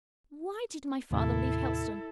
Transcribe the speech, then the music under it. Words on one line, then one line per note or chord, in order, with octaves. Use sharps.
Why did my father leave Helstone?
D#2 A2 C3 E4 A4